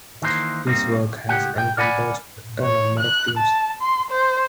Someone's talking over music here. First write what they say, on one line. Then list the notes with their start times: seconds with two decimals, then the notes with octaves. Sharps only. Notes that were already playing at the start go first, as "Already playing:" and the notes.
His work has encompassed a number of themes.
0.22 D#3 E3 A#3 G#4 C5
0.67 G3 A#3 C4 D#4
1.00 B1
1.29 C#2 A2 G4 F#5 G5
1.56 G#2 G5
1.77 A#4 D5 F#5 G#5 A#5 B5
2.62 C#5
3.00 F#6
3.37 A5
3.82 C6
4.11 C5